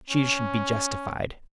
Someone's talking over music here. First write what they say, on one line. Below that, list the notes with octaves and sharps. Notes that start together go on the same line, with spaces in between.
She should be justified.
C#4